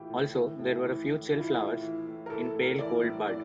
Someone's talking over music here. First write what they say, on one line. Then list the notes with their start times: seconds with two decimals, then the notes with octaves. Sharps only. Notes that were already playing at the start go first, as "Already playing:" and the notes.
Also, there were a few chill flowers, in pale cold bud.
Already playing: A2 E3 F4 G4
0.10 A2
0.35 E3
0.59 A2
0.84 E3
1.08 A2
1.32 E3 F4
1.41 E4
1.47 F4
1.57 A2
1.81 E3
2.06 A2
2.26 A#4
2.30 E3 A4
2.46 A4
2.54 A2
2.62 A#4
2.79 E3 D5
3.03 A2
3.27 E3 D5